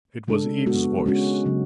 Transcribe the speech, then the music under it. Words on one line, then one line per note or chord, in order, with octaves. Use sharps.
It was Eve's voice.
C#3 G#3 D4 A4
G#3 B3 F#4
G#3 C#4 F#4
C#3 F#3 C#4